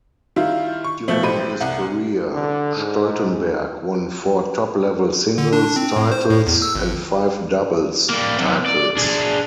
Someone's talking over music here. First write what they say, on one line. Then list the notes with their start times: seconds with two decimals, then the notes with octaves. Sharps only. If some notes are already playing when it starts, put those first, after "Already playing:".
During his career, Stoltenberg won four top-level singles titles and five doubles titles.
0.36 D#3 G3 E4 F4
0.84 C#6
1.08 B2 F3 A3
1.23 A1 G4 C5 B5 D#7
1.61 C2 F#5
2.33 D3
2.76 G#2
5.38 D3
5.53 D4
5.76 C4
5.96 A2
6.12 C5
6.30 A2
6.47 E2
6.62 E6
6.75 G#1
8.10 G3 A#3
8.38 C3 F#3
8.66 D5
8.97 D4 G#4